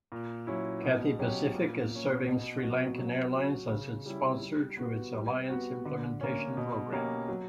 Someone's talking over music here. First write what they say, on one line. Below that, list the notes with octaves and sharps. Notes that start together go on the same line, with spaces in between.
Cathay Pacific is serving SriLankan Airlines as its sponsor through its alliance implementation programme.
A#2
F#3 C#4 E4
B2
F#3 C#4 G4
A#2
A#3 C#4
B2
F#3 B3 F#4
F#3
C#4 F#4
C#3
G3 C#4 E4
G3
B3 F#4
G3
B3 F#4
D3
A#3 C#4
B2
A#3 C#4 G4
F#3